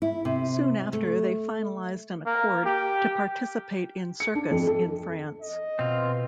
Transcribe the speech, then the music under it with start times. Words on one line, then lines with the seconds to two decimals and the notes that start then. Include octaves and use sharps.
Soon after, they finalized an accord to participate in circus in France.
0.02 E4
0.25 C3
0.93 A3
2.26 A#3
2.65 G4
4.20 C#7
4.35 D4
4.51 F2
4.67 A4
5.41 D#5
5.79 B2 C4 F4